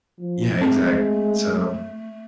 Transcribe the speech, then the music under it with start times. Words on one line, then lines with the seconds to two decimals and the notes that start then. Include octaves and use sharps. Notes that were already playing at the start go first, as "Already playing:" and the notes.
Yeah. Exact so,
0.19 F3
0.61 G#3 A3 C4